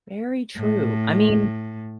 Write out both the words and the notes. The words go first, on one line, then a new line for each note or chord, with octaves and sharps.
Very true. I mean
A2